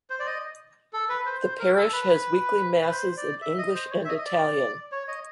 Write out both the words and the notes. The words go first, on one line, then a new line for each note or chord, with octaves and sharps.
The parish has weekly masses in English and Italian.
C5
D5
D#5
A4
B4
C5
C5
A#4
A4
B4
B4
C5
D5
E5
D#5
C5
C#5
E5
D#5
D#5
D5
C#5
D#5